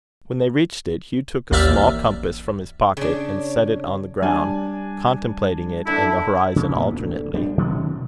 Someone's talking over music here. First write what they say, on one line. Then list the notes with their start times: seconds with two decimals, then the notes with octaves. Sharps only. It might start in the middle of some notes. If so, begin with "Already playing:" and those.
When they reached it, Hugh took a small compass from his pocket, and set it on the ground, contemplating it and the horizon alternately.
1.52 A1 D#2 D5 E5 E6 F6
2.97 C#3 D4 C#5
4.22 G3 D4 G#5
5.87 D3 D4 E4
6.56 C#3
6.76 A#2 B3
6.92 D2
7.34 G3 B3 D4
7.58 B2 D#3 F#3 C#4